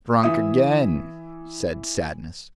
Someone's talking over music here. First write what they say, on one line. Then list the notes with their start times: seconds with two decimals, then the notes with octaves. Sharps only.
"Drunk again," said Sadness.
0.23 E3 E5 D#6